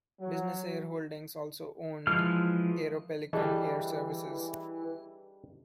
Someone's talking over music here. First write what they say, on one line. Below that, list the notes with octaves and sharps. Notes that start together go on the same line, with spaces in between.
Business Air Holdings also owned Aeropelican Air Services.
F#3
E3 F3 G#3 F6
E3 G3 D4 G#4 A4 D#5